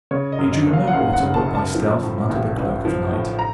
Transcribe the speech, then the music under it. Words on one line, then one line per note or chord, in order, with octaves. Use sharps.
He drew no water but by stealth and under the cloak of night.
C#3 C#5
D#5
F#2
D#5
F#1
F5
F#5
F#1 F5
F#5
C#3
A5
F#2
A5
F3
A2
A1
A1
F3
A2
A#5